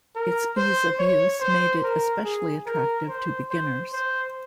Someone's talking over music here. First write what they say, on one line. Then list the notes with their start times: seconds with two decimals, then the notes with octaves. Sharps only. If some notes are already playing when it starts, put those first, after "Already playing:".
Its ease of use made it especially attractive to beginners.
0.15 A#4
0.57 C5
0.99 C#5
1.41 C5
1.83 A#4
2.24 G#4
2.66 A#4
3.09 C5
3.51 C5
3.93 C5